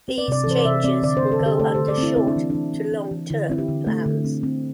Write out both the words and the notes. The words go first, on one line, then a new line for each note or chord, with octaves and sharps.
These changes will go under short to long term plans.
C4
D5
C3 D5
A4
E3 C5
D5
C3 E5
C4 D5
D3 D5
C5
C4
A4
D3
G4
A3 A4
D3 C5
D5
C4
E4
C4 E4
D4
E3
E3 D4
C4
C4
E3
D3 E4
C4 E4
G4
D3
A3
D3
C4
C4